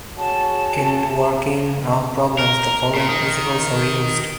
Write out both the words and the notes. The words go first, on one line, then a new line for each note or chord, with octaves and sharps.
In working out problems, the following principles are used.
F#4 G#4 C#5 A5
A#4
A#2
D#3